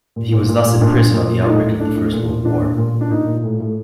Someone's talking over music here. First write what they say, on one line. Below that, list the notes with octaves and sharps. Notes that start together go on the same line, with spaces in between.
He was thus in prison on the outbreak of the First World War.
A#2
A#2
A#2
A#2
A#2 D4
A#2
A#2
A#2
F4
A2 D#4
A2
A2 D4
A2
A#2
A#2
A#2 D4
A#2
A#2
A#2
D4
A#2 D#4
A#2
A2
A2